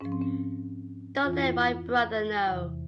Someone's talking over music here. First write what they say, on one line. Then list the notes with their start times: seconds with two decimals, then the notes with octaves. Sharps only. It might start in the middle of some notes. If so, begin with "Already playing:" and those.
Don't let my brother know.
0.01 G#2 F3 C#4
0.12 C4
0.22 C#4
1.24 F2 E3 F4
1.33 E4
1.44 F4
2.47 E2 C3 E3